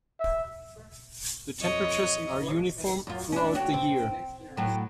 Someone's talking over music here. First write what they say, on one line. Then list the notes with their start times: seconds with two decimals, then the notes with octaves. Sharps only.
The temperatures are uniform throughout the year.
0.20 E5
1.60 F2 C#5 D#5
3.07 F#2 F4
3.32 C#4 D4
3.55 F#4 C#5 G5
3.74 C4
4.57 A2 F#3 G5